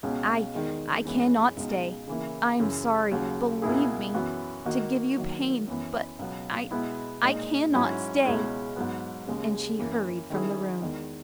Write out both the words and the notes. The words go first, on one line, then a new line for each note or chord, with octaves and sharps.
"I--I cannot stay. I am sorry, believe me, to give you pain; but I--I cannot stay!" And she hurried from the room.
C#2 B2 G#3 C#4
E2 D#3 G#3 D#4
F#2 E3 G#3 B3
C#2 B2 G#3 D#4
C#3 E3 A#3 E4
F#2 C#3 E3
D#2 C#3 F#3
C#2 B2 A#3 E4 G#4
F#2 E3 B3 F#4
D#3 A#3 D#4 F#4
D#3 F#3 A#3
F#2 E3 B3
C#2 B2 F#3 B3
B2 G#3 B3 E4
A#2 G#3 D#4
G#2 F#3 C#4 E4
C#2 B2 G#3 C#4 E4
G#2 F#3 B3
D#2 C#3 G#3
F#2 E3 A#3
D#3 G#3 C#4 E4 G#4
E2 D#3 G#3